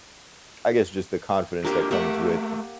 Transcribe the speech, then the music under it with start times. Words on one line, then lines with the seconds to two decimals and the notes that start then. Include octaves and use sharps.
I guess, just the confidence that comes with
1.65 A#2 D3 A#3 G4
1.91 A3 A#3 G4 E5 F#5